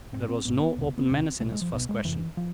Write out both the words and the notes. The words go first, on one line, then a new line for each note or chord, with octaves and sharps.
There was no open menace in his first question.
G#1 G#2 C4
C4
G#1 G#2 B3
B3
E1 D2 C3
B3
E1 D2 C3 C4
C2 B2 A3
G#3
F3
C2 B2 B3
G#3
F1 F2 C3 E3
F3